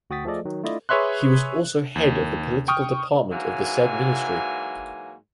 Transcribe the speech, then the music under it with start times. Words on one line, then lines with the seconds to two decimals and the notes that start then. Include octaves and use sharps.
He was also head of the Political Department of the said Ministry.
0.10 D2 F#4 G5 D#6 A6 B6
0.25 F3 A3 G#4 A4 D5 D#5
0.45 D#3 F#3
0.64 A3 D4 E4 F4 D5 D#5
0.89 G#4 B4 C#5 E5 C6 F#6
1.96 D#2
2.68 G5 C#6 D#6 F6
3.31 G#2 E3 F#3 A#3 G#5